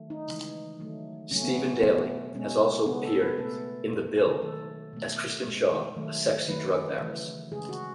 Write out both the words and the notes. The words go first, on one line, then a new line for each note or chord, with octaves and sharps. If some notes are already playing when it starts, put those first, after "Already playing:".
Stephen-Daly has also appeared in "The Bill" as Kristen Shaw, a sexy drug baroness.
Already playing: D#3 F#3 A3
D#4
C#3 E3 G#3
D#3 F#3 A3
C#3 F#3 A3 C#4
B3
B3
B2 F#3 A3
B2 G#3 C#4
C#3 G#3 B3
A4
B4
B2 A3 A4
B2 G#3
D#3 F#3 A3 A4
B2 A3
B2 G#3
D#3 F#3 A3
D#3 F#3 A3 B4
C#3 E3 A3
C#3 G#3 G#4
F#4